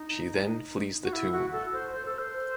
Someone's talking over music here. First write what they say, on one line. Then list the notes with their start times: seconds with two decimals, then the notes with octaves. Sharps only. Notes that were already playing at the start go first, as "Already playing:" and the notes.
She then flees the tomb.
Already playing: D#4
1.03 F#4
1.13 E4
1.32 F#4
1.52 A4
1.73 C5
1.92 C5
2.05 A4
2.18 C5